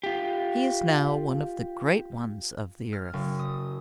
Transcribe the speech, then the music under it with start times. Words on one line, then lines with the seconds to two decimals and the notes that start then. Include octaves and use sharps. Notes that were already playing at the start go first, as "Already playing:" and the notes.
He is now one of the great ones of the earth.
0.03 F4 G4
2.93 F6
3.13 F#1
3.39 D#6